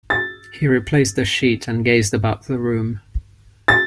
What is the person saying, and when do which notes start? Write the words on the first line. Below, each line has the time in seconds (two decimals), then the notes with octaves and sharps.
He replaced the sheet and gazed about the room.
0.10 A6
3.68 A6